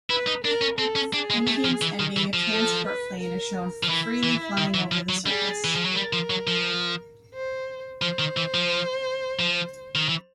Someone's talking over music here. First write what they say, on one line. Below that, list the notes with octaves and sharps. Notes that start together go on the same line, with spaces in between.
In the game's ending, a transport plane is shown, freely flying over the surface.
E4 B4
D#4
D4 A#4
C#4
C4 A4
C#4
D4 G#4
G#3
A3
F3
E3
D#3
E3
F3
A4
B4
A#4
F3
E3 E4
E3
D#3
E3
F3
F#3
G3 G#4
E3
F3
F#3
G3 A#4
F3
F#3
F3
C5
F3 C5
D#3
E3
F3
F3
D#3
E3